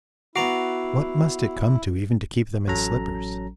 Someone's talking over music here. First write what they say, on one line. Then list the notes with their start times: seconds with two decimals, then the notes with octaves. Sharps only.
What must it come to even to keep them in slippers.
0.36 B3 E4 F#4 A#5 D6 C7
2.67 A1 F#3 C#4 A4 A#5